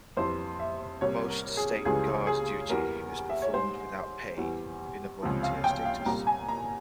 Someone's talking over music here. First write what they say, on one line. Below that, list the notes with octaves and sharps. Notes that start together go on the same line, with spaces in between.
Most State Guard duty is performed without pay, in a volunteer status.
F2 E3 G3 C5
E5
C2 C3 G3 C#5
A#4
G#4
C#2 C#3 E3 G3 G#4
G#4
E2 E3 G3 A#4
E5
C#5
G#2 G3 C5
E2 E3 G3
C#2 C3 F3
F5
G5
F5
C2 A#2 G3 A#5
G#5
A#5